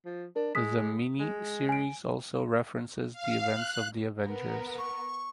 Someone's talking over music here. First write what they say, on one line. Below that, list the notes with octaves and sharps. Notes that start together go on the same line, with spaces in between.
The miniseries also references the events of "The Avengers".
F3
D4 A#4
G#3 D#6 B6
G#3
G#5 D7
F5
F#6
B3 A#4
C#6